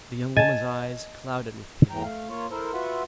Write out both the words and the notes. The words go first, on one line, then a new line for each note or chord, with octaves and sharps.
The young woman’s eyes clouded with pity.
D#5 G#5 A5
E2 A2 E3 G5 A#5
A3 F5
A#3 F4 C#5
E4 A4 A#4 C5
F4 F#4 B4 E5 F#5